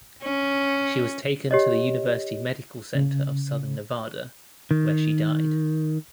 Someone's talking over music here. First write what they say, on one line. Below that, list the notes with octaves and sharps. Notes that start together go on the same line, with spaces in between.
She was taken to the University Medical Center of Southern Nevada where she died.
C#4
G4 C#5 D#5
C#3
D#3